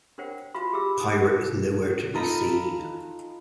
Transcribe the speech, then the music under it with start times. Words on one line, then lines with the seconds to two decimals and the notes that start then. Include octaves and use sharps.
Pirate is nowhere to be seen.
0.18 D4 A#4 C5 C#5 F#5 G5
0.54 F4 F#4 E5 F5 B5 C6
0.73 G4 G#4 E5 B5 D6 E6
1.00 D#4 D#6
2.14 D#4 F4 A4 D#5 A#5 B5